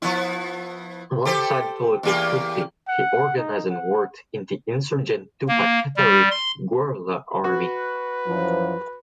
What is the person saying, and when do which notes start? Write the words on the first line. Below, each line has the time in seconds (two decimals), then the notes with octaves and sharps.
Alongside Felipe Quispe, he organized and worked in the insurgent Tupac Katari Guerrilla Army.
0.02 F3 B3 E4
1.25 G4 A4 C5
2.03 E2 A#3 G4
2.88 F#5
3.37 D#4
3.69 F#5
5.48 A#3
5.97 G3
6.31 C6
7.44 F#4 B4
8.26 F#2 E3 F3